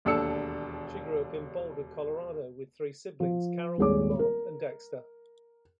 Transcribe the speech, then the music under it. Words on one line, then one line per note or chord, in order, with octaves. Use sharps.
She grew up in Boulder, Colorado, with three siblings: Carol, Mark and Dexter.
E1 D#2 D4 A4 E6 C#7
F3
D#1 G#1 G#4 C#5 D6
A#4